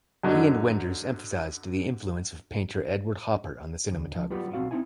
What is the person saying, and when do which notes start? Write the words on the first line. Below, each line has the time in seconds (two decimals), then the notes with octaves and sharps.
He and Wenders emphasized the influence of painter Edward Hopper on the cinematography.
0.23 F#2 D3 F#3 D#5
3.92 D2
4.15 F3
4.30 F#3 G3 B3 F4 G4
4.53 B1 F3 C4 F#4 F5
4.71 C4 D#4 E4 G#5